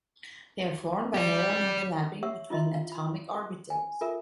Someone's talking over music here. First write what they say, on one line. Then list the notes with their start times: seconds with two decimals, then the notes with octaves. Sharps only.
They are formed by head-on overlapping between atomic orbitals.
1.14 G4 D5
2.23 G4 C#5 E5 F#5 C#6 E6
2.50 E4 F4 D#5 E5 C6
2.75 F5
2.92 B5 C6
3.70 G#5
4.01 F4 A4 A#4 E5